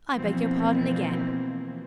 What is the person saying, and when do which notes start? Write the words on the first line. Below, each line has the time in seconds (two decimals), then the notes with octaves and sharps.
I beg your pardon again.
0.16 B2 E3 F3 A#3 C4